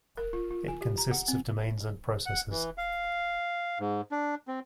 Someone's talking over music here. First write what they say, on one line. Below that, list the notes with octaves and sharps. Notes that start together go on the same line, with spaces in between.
It consists of domains and processes.
A#4
F4
F4
G#5
G4
A#5
F#5
C4
F#5
E3
F5
G#2
D4
C4